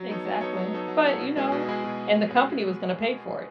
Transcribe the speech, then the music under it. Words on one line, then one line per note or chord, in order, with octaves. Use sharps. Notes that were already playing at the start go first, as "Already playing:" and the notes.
Exactly, but, you know, and the company was gonna pay for it,
Already playing: F#3
B3 D#4 A4 C#5
F#3
B3 D#4 A4 C#5
F#3
B3 D#4 A4 C#5
F#3
B3 D#4 A4 C#5
B2
G#3 B3 E4 G#4
B2
G#3 B3 E4 G#4
B2